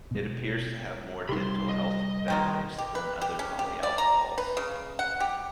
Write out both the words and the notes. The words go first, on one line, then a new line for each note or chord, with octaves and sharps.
It appears to have more dental health benefits than other polyalcohols.
B2 G#3
C3 G3 D#4 G4 B5 C6
D#5
B2 D#3 G#3 G5 G6 A6
G4
B4
G4
C#4
G4
D5
A#5
B4
C#3
F#5
G4